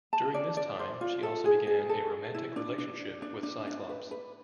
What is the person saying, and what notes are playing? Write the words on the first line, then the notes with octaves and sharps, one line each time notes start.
During this time, she also began a romantic relationship with Cyclops.
A5
D5
D5
C5
F4
A4
G#4
G#4
A4
E4
D4
D4
D4
D4
D4
B4
B4